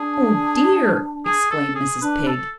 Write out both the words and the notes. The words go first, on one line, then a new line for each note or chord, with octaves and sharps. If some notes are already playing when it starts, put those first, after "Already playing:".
"Oh dear!" exclaimed Mrs. Pig.
Already playing: D4 G#4
G#4
A4
G#4
D4 B4
A4